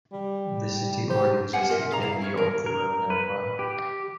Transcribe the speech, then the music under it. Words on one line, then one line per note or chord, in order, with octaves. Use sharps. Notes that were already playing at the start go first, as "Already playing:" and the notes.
The city already existed in the of the Roman Empire.
G3
G4 C5
G4 F5 F#5 G#5
F4 A#4 D#5 E5
D4 G#4 F5 A#5
E4 F5
C#4 C#5
A#4
A#4
B4
G4